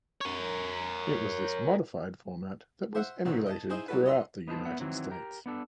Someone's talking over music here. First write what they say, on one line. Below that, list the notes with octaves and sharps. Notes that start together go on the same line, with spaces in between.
It was this modified format that was emulated throughout the United States.
A#4 C#5
C5 E5 F#5
C2 G#2 F#3 B3 C4 F#4
D#5 A5
D#4 E4 G#4 C5 D#5
F#3 G3 E4 F#4 A4 B4
D#5 F#5 C6 E6
B3 D#4 C5 A5
B3 B4 E5 F#5
D#3 E3 F#3 C4
G4 A#4
B3 D4 A4